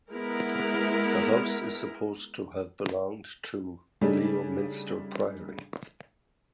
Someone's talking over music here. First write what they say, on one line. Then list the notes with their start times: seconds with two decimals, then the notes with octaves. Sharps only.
The house is supposed to have belonged to Leominster Priory.
0.12 G#3 B3 E4 A#4
4.01 C#3 G3 A3 D4 D#4 G#4